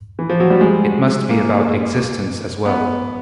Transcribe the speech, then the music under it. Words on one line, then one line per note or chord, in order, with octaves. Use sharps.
It must be about "existence" as well.
E3
F3
F#3
G3
G#3
A#3
B3